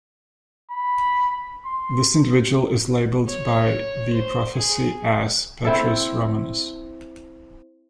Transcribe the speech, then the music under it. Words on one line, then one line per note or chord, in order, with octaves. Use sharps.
This individual is labelled by the prophecy as Petrus Romanus.
B5
C6
C#5
C5
G#4
C4 E4 A4